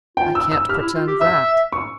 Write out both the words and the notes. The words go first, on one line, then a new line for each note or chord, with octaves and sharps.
"I can't pretend that."
F4 G5
E6
E6
G4 F6
E4
F4
G4
E5 E6
C#6